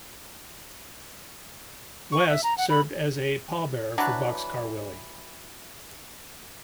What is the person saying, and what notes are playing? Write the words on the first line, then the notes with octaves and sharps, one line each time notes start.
West served as a pallbearer for Boxcar Willie.
C#6
E5
A#5
F#5
B5
E3 F#3 D4 B4